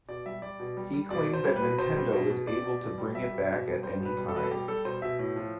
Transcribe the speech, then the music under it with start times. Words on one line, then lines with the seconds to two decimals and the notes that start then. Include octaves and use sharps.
He claimed that Nintendo was able to bring it back at any time.
0.08 B2 D5
0.26 G3 E5
0.42 G3 D5
0.60 B2
0.77 G3
0.93 G3
1.10 B2 D5
1.27 B2
1.33 C5
1.44 G3
1.56 B4
1.62 B2
1.78 B2 C5
1.96 G3
2.13 B2
2.30 B2
2.47 B2 D5
2.64 B2
2.81 B2
2.98 G3
3.15 G3 E5
3.32 B2
3.49 B2
3.67 G3
3.83 G3 C5
4.00 B2
4.05 B4
4.17 G3
4.28 A4
4.34 B2 B4
4.43 A4
4.51 G3 G4
4.68 G3 A4
4.85 B2 C5
5.02 B2 E5
5.19 A2
5.36 F3